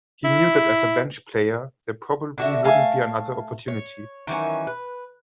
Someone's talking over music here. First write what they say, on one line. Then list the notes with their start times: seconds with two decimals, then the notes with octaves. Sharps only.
He knew that as a bench player, there probably wouldn't be another opportunity.
0.24 E4
2.38 D3 F#4 E5
2.64 A3 F5 G#5
3.68 C#5
4.27 D#3 E3 F#3 C#4
4.67 B4